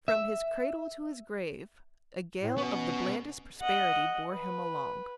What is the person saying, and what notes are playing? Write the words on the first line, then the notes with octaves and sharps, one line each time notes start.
From his cradle to his grave, a gale of the blandest prosperity bore him along.
E5
A2
B3 C#4 F#4
D#5 F#5
B4